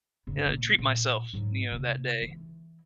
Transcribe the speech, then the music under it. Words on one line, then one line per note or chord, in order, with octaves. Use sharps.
And I treat myself, you know, that day.
F#2 C#3
A#2 A#3
A#2
G#2 F#3
C3 D4
E3